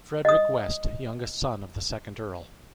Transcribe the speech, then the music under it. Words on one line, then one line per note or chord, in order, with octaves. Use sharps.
Frederick West, youngest son of the second Earl.
D#5 D#6